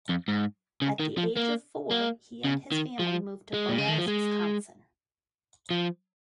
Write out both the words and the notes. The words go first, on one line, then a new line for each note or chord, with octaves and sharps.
At the age of four, he and his family moved to Boaz, Wisconsin.
F2
G#2
C#3
D#3
F3
A#3
A#3
C#3
D#3
F3
G#3
A#2
C#3
D#3
F3
G#3
F3